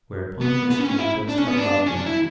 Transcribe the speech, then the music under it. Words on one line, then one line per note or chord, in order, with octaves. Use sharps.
Whereupon Gascoyne burst out laughing.
B3
B3
C#4
C#4
E4
D4
C#4
B3
D4
C#4
D4
E4